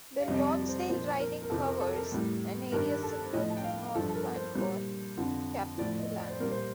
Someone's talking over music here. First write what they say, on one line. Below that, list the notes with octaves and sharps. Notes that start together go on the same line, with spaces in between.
The Lonsdale riding covers an area similar to North Vancouver-Capilano.
F5
F2 C3 G3 D#5
D5
C5
A#2 F3 C5
A#4
A#4
F2 C3 F3 A4
A#4
A4
A#4
A2 G3
G2 D#3 G3 A#4
A4
A2 F3 D#5
A5
G5
F5
G2 F3 A4
A4
A#4
C5
A#2 G3
F2 D3 F3
A2 F3 D5
D#5
D5
C5
A#2 G3 A#4
C5